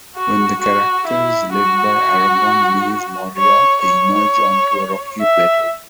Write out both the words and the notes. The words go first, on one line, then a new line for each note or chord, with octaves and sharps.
When the characters led by Aragorn leave Moria they emerge onto a rocky plateau.
F#4
F#4
E4
F#4
C#5
C#5
E5